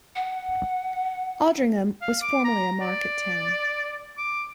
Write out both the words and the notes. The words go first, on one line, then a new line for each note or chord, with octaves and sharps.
Aldringham was formerly a market town.
F#5
F5
D6
A#5
D5
D6